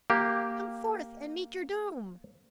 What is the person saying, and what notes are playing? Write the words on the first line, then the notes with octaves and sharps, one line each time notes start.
"Come forth and meet your doom!"
A#3 G4